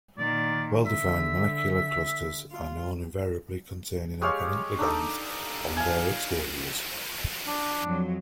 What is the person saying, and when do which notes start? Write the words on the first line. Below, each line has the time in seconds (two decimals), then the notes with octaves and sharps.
Well-defined, molecular clusters are known, invariably containing organic ligands on their exteriors.
0.18 A#2 D#3 D5
0.86 D3 E5
2.52 F4
4.22 G#3 G4 C#5 F5
4.79 D4 D#4 A4 D5
5.77 F5 G#5
7.48 D4
7.83 F2 F#3